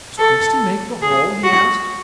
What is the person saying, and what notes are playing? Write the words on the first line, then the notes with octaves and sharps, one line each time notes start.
"Does Cresty make the hole?" he asked.
A4
G#4
F#4